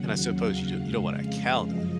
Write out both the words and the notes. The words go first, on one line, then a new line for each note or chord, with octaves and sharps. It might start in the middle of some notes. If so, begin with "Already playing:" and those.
And I suppose you don't you don't wanna count on
Already playing: D#2 C#3 F#3 F#5
F5
F2 C#3 G#3
F#2 C#3 F3 D#5